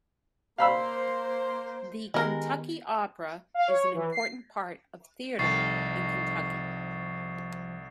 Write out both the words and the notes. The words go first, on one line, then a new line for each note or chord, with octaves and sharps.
The Kentucky Opera is an important part of theater in Kentucky.
A#3 C5 F5 B5 E6
D#3 G#3 B3 G4 A#4
F5
C#5
E3
C7
C2 D#3 F3 A4 C#6 A6 C7